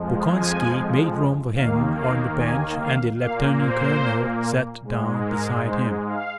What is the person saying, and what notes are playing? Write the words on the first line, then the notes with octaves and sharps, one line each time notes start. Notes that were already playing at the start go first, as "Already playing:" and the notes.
Bolkonski made room for him on the bench and the lieutenant colonel sat down beside him.
Already playing: F2 F3 G#3
G#5
D#2 D#3 A#3 F5
F5
G#5
F5
A#2 A#3 F5
C5
G#2 G#3
A#4
C5
F5